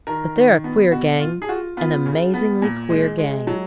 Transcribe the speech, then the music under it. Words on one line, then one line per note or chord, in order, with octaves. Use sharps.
But they're a queer gang,--an amazingly queer gang!'
D#3 A#4
D#3
B3
B2 F#4
F4
G#4
F4 F#4
B3 F4
C#3
B3
A#2
G#3
G#3
F#3